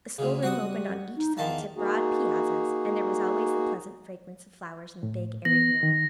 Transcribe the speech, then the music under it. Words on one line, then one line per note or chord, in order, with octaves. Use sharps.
The schoolroom opened on each side to broad piazzas, and there was always the pleasant fragrance of flowers in the big airy room.
D2 C#3 G#4
G3 F#4 F#5 D#6
G3
D#4
E2 D#3 F5 A5
A#3 D#4 F#4 G#4
A2
E3 B3 A#6
D#3